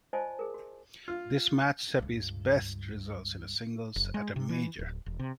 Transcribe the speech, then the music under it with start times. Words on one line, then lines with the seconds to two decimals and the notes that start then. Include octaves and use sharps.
This matched Seppi's best result in singles at a Major.
0.13 F4 C5 D5 D#5 G#5 A5
0.39 G#4 A#4
0.54 F#4
1.08 F4
1.99 C#2 G2
3.96 F#1
4.14 G#3
4.36 C3
4.49 E3
4.79 D1
5.06 E1
5.19 C3